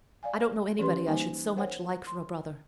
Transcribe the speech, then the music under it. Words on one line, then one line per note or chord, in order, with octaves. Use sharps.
I don't know anybody I should so much like for a brother.
D5 F5 G#5
E3 C#4 G4 B4 C6
G3 A#3 D#4 C5 E5 G#5
A#4 C5 C#5 F#5 G5
C6